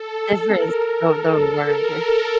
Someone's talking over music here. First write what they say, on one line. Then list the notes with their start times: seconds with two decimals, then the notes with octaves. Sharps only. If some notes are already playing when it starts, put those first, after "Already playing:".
difference the their word.
Already playing: A4
0.20 A4
0.50 A#4
0.78 A#4
1.08 A4
1.67 A#4
1.97 A4